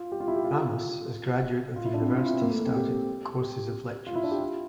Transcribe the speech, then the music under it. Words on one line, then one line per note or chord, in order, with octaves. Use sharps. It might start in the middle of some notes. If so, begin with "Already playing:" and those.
Ramus, as graduate of the university, started courses of lectures.
Already playing: F4
G4
F4
E4
G4
F4
F4
F4
E4
D4
C4
E4
F4
E4
C4
A#3
A3
A#3
C4
G4
G4
F4
E4
D4
G4
F4